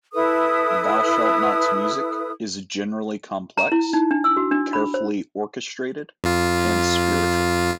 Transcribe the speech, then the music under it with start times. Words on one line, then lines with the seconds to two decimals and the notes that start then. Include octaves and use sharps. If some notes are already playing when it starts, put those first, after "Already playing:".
ThouShaltNot's music is generally complex, carefully orchestrated, and spiritual.
0.13 E4 A4 B4 D#6
3.57 A#5
3.72 E4
3.93 D#4
4.11 D4
4.24 E6
4.37 F#4
4.51 D4
4.73 B5
4.94 C5
6.24 F2 F4